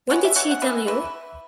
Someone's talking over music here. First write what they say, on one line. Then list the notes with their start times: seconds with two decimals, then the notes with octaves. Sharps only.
When did she tell you?
0.10 G#3 B3 C#5 F#5
0.25 E5
0.36 E3 C#5 F#5
0.51 F#5
0.62 G#3 B3 B4 E5
0.87 E3 B4 E5